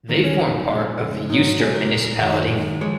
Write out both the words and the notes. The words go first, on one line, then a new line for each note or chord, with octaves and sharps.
They form part of the Eystur municipality.
D#2 D#3 G#3 A#3
C#4
F2 C#3 F#3 D#4
A#2 G#3
F2 C#3 G#3
G#2 F#3 D#4
C#2 B2 F#3 G#4
A#4
A#2 G#3 A#4
A#4
F#2 D#3 F#3
F#2 D#3 G#3
F3 G#3 C#5